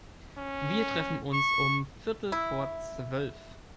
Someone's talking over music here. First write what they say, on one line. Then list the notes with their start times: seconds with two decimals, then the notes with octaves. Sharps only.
Wir treffen uns um viertel vor Zwölf.
0.37 C#4
1.33 C#6
2.32 E4